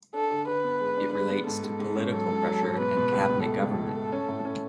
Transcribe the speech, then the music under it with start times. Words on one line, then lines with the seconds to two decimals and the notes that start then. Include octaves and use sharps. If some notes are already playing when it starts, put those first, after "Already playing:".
It relates to political pressure and cabinet government.
0.14 D4 A4
0.31 D3
0.48 D3 B4
0.64 B3
0.80 G#3
0.97 D4
1.14 G#3 B4
1.30 B3
1.47 G#2 A4
1.63 G#2
1.80 G#2
1.96 C#4
2.13 F#3 A4
2.30 G#2
2.46 F#3
2.63 G#2
2.79 B2 B4
2.97 B2
3.13 C#2
3.29 B2
3.46 A3 A4
3.63 C#2
3.79 B2
3.95 A3
4.12 C#4
4.29 A2
4.45 C#4